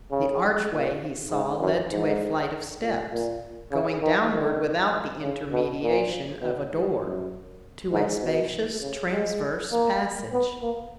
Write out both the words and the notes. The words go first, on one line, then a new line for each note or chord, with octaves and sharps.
The archway he saw led to a flight of steps, going downward without the intermediation of a door, to a spacious transverse passage.
C#3
A#2
G#2
F#2
G#2
A#2
A#2
C#3
D#3
D#3
C#3
B2
A#2
B2
G#2
F#2
G#2
B2
C#3
G#3
A#3
B3
A#3